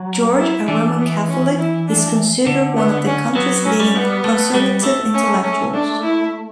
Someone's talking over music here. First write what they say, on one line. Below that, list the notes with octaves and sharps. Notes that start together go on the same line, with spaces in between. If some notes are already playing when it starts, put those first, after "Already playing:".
George, a Roman Catholic, is considered one of the country's leading conservative intellectuals.
Already playing: F#3
E4
E3 D4
B3
C#4
E4
D4
D3
B3
C#4
F#3 B3
C#4
G3
B3
A3
G3
A3
C#4
C#4
D4
E4